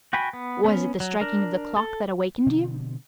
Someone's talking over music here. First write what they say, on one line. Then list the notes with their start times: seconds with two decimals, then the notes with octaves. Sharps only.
"Was it the striking of the clock that awakened you?"
0.13 F#4 G5 G#5 B5
0.33 B3
0.64 B3 C#4
1.00 F#3
1.21 D4 A#4
1.77 A4
2.46 B2 D3 F3 C4